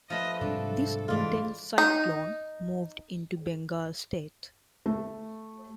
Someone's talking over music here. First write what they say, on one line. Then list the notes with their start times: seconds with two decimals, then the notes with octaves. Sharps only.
This intense cyclone moved into Bengal state.
0.10 F3 A3 B4 D#5
0.41 G#2 C3 G3 D4 A4
1.08 E3 G#3 F4 D5
1.78 D#4
4.86 A3